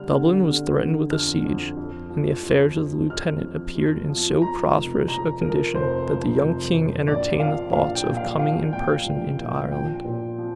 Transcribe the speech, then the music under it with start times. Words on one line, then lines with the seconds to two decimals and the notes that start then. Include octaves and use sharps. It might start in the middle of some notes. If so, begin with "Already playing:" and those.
Dublin was threatened with a siege; and the affairs of the lieutenant appeared in so prosperous a condition, that the young king entertained thoughts of coming in person into Ireland.
Already playing: D3 G3 F6
0.12 D3
0.45 D3
0.78 D3
1.11 F2 F6
1.45 F2
1.77 F2
2.10 F3
2.43 F2
2.77 F2
3.10 F2 F6
3.43 F2
3.75 F2
4.10 F3
4.42 F3 A#5
4.75 F1
5.08 F2 A#5
5.41 F3 A#4
5.75 F1 C5
6.08 F3
6.41 F1
6.73 F2
7.07 A#1 D5
7.40 F3 F5
7.73 A#1 F5
7.95 G5
8.06 A#2
8.17 F5
8.39 F3 F5
8.72 A#1 G5
9.06 A#1
9.39 A#2
9.71 F3 G5
10.05 A#2
10.38 F3